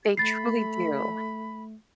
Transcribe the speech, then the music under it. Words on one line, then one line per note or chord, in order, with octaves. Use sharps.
They truly do,
A3 B5 A6 C7